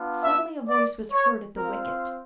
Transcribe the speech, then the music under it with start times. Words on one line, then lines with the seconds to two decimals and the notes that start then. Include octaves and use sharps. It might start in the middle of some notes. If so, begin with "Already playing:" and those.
Suddenly a voice was heard at the wicket.
Already playing: B3 D4 F4
0.22 E5
0.67 D5
1.11 C#5
1.56 C4 F4 A#4